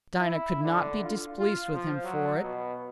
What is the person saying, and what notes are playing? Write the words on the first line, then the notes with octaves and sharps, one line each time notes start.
Dinah could not be displeased with him for it.
E4
D3
F4
F4
F3
F#3
B2